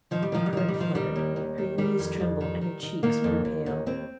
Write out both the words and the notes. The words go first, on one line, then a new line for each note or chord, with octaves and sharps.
Her heart fluttered, her knees trembled, and her cheeks grew pale.
D#3 F3
G3
D#3 F3
G3
D#3 F3
G3
D#3
F3
D#3 G3
D#2
D#2
D#3
D#3 G3
F2
F2
D#3
D#3
D#3
D#3 A#3
F2
D#2
D#2
D#2 C4